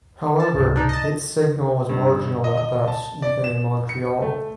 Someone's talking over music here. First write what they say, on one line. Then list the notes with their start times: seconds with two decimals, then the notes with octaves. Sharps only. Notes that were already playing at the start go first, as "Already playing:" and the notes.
However, its signal was marginal at best even in Montreal.
0.40 A5
0.55 C#2 G#2 C3
0.76 D4 D#4
0.89 D#5 A5
1.89 G2
2.44 D#5
2.57 D#5
2.88 A5
3.22 D5
3.44 E7
3.89 C#7
4.22 A3